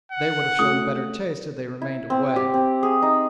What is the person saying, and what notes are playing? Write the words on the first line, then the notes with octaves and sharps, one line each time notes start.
"They would have shown better taste had they remained away."
F#5
A3 C#4 F#4 D#6
E4
C4
G4
C4
G#4
D#4